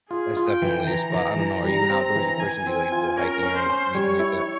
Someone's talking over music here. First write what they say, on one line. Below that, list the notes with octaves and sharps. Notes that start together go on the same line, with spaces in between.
that's definitely a spot. I don't know, are you an outdoorsy person? Do you like to go hiking or any anything like that?
F4 G#4
F4
G5
E3
E3 A#5
E3
E3
G3 A#5
C4
A#5
E3
E3 G#5
C4
F4
C#4 A#4
C#4
C5
C#4
G3 C#5
E4